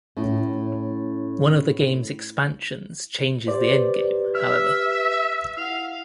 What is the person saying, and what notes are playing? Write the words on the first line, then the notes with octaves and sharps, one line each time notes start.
One of the game's expansions changes the endgame, however.
A2 C#4 E4
G4 B4 C5 D5
E5 F6
E4 F5 F#5